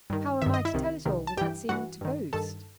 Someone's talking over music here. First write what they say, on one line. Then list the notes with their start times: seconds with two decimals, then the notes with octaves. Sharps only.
How am I to tell it all without seeming to boast.
0.10 G2 D#3
0.42 G2 D#3 E5
0.54 D#5
0.65 E4 E5
0.74 C2 C3 D#3
1.05 C2 C3 D#3
1.27 A5
1.37 G2 E3 G4 G5
1.69 G2 E3 F#4 F#5
2.01 G2 D#3
2.33 G2 D#3 A4 A5